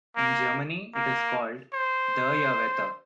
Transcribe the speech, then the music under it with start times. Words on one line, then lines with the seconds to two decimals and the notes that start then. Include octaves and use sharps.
In Germany it is called "Dreierwette".
0.16 A#3
0.95 A#3
1.73 C5